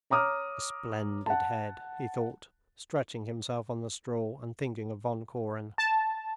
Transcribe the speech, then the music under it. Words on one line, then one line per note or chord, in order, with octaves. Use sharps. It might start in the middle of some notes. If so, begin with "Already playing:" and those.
"A splendid head," he thought, stretching himself on the straw, and thinking of Von Koren.
C#5 A#5 D6 D#6 F6
F#5 A5
A5